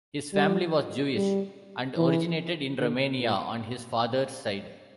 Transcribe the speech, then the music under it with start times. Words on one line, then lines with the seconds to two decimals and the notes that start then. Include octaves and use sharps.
His family was Jewish, and originated in Romania on his father's side.
0.33 G3
1.15 G3
1.97 E3
2.78 D3
3.19 A#2